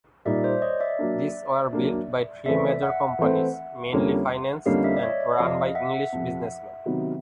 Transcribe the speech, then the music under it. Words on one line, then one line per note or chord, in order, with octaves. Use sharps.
These were built by three major companies, mainly financed and run by English businessmen.
A#2 G3 A#3 D#4 D5 E5
C5 D5
C#5 D#5
D5 E5
F#3 A#3 D4
F#3 A#3 D4
E3 A3 C4 D5 E5
E5 F#5
E3 A3 C4
F2 D3 G3 A#3 C#4
F2 D3 G3 A#3 C#4 D#5 F5
D5 E5
D5
C#5 D#5
D5 E5
F2 C3 F3 D#5 F5
E5 F#5
F2 C3 F3
C3 D#3 F#3 B3